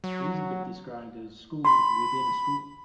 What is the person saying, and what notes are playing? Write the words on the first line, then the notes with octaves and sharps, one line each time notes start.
These have been described as 'schools within a school'.
F#3
B5 C6